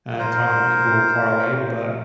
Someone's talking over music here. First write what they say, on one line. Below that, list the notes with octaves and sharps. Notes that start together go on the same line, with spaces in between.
eh, talking to people far away, but,
A#4 C5